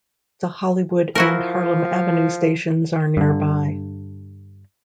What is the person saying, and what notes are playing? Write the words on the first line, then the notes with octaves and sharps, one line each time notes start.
The Hollywood and Harlem Avenue stations are nearby.
F3 E4 F#4 A#4
G2 D3